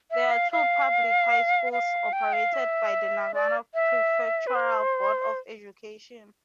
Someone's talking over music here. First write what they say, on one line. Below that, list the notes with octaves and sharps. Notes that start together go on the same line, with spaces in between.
There are two public high schools operated by the Nagano Prefectural Board of Education.
E5
F5
F5
F5
G5
F5
E5
D5
E5
B4
C5